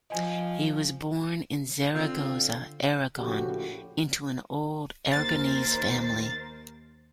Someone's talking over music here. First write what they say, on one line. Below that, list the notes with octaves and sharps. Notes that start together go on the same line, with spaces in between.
He was born in Zaragoza, Aragon, into an old Aragonese family.
F3 D#5 G#5
D3 C4 F4
A#1 A2 C#3 F#4 G4
D#2 A#4 C5 A6